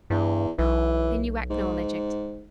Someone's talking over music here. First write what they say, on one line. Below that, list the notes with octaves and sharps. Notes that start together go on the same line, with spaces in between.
"Then you acknowledge it?"
E2 G2
B1 E3
G#2